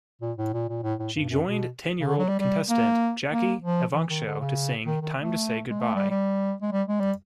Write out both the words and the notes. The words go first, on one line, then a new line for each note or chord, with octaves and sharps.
She joined ten-year-old contestant Jackie Evancho to sing "Time to Say Goodbye".
A#2
A2
A#2
A#2
A2
A2
G2
F#2
B2
C#3
D3
F#3
G3
G3
A#3
A#3
F3
E3
D#3
D3
C#3
D#3
D#3
A3
G#3
A3
G3
G3
G#3
G3
G#3
G3